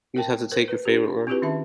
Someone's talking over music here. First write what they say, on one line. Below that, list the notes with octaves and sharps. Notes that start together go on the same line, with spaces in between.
You'd have to take your favorite one.
A#4 G5 A5
A#4 C5
B4
D4 G4
C4 E4 F4 G4 G#4 B4
D#3 C#4 D#4 E5 A5